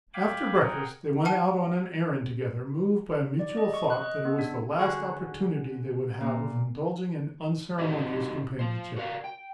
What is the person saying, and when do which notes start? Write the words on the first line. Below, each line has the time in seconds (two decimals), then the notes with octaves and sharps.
After breakfast they went out on an errand together moved by a mutual thought that it was the last opportunity they would have of indulging in unceremonious companionship.
0.14 F5 G5 G#5 B5 D6
0.62 G#4 A#4 F#5 G5
1.25 B4 F#5 A5
3.39 D5
3.57 D#5
3.74 C#6
3.90 F#6
4.02 D#5
4.25 B3
4.39 D4
4.77 D3 F#4 G#4 C#6
6.21 A#2
7.79 C4 D#4 F#4 G4 D5 D#5
8.59 F4 C5
8.96 F#4 A#4 D5 F5
9.24 G5